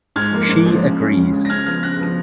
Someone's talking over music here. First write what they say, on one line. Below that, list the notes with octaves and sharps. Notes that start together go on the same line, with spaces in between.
She agrees.
G#2 F6 G#6
F3 A#3
G#2
F3 A#3
C#3
G#3 C#4
C#3
G#3 C#4
A#6
C#3 F6 G#6
F3 B3 F6 G#6
C#3 F#6 A#6
F3 B3